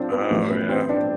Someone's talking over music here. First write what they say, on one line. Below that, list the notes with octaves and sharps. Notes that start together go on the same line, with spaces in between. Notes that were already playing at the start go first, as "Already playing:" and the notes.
Oh, yeah.
Already playing: C4 D4 F4 A4
B3
A1 A2 F3 A3
B3
C4
D4